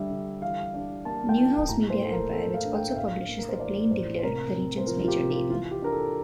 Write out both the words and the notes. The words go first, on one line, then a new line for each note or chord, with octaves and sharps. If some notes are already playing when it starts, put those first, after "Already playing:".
Newhouse media empire, which also publishes "The Plain Dealer", the region's major daily.
Already playing: D3 G3 D4 E5
D3
E3 F5
D4
A#3 A5
G5
E3 A5
A2 A#5
C5
A#3 A4
A#4
E3 A4
F5
D4
G5
E5
A2 F5
A#3
A#4
C5
E3 D5
A2 C5
C5
C3 A#4
C4
C5
F3 A#4
F4
G4
C3
F4
E3 F4
G4
D4 A#4
A4